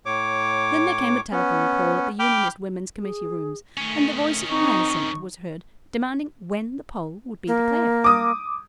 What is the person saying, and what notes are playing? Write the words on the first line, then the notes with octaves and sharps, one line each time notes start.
Then there came a telephone call at the Unionist Women's Committee-rooms, and the voice of Hyacinth was heard demanding when the poll would be declared.
A2 C#5 D6
B3 C#4
G5 B5 D6 F6 G6
G#4
D#3 A3 C#4
C4 D#4 C#6
A#3
D6 D#6